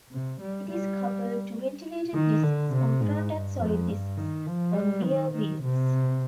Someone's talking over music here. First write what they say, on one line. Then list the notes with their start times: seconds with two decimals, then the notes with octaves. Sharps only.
It is coupled to ventilated discs on front and solid discs on rear wheels.
0.12 C3
0.40 G3
0.70 G3
2.14 D#3
2.43 D3
2.72 C3
3.01 G#2
3.31 G2
3.59 F2
3.89 G2
4.17 D#3
4.47 F3
4.75 G3
5.04 D#3
5.33 D#3
5.62 C3